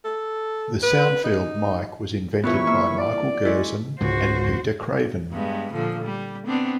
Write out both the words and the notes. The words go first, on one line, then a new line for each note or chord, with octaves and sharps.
The soundfield mic was invented by Michael Gerzon and Peter Craven.
A4
B4
D#4
G2 A#2 E3 B3 C#5 B5 C#6
A#3 E5
D5
G#3 E4 C#5
C#2 G#2 B2 D3 F#4 C5
G2 G#3 B3
A#2 D3 F3
G3
B3 C4 D4